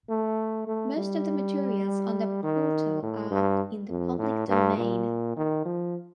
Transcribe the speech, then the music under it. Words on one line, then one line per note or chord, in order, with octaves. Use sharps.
Most of the materials on the portal are in the public domain.
A3
A3
G3
D#3
A2
G2
F2
A2
G2
A#2
D#3
F3